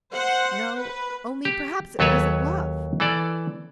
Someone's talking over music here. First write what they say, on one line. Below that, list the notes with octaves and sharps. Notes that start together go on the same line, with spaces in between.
"No, only perhaps it wasn't love."
C5 F#5
B4
G4
D#2 F#3 A4 B4 C#5
E3 A4 D5